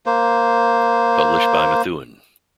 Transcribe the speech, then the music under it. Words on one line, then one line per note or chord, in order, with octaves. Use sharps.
Published by Methuen.
A#3 C5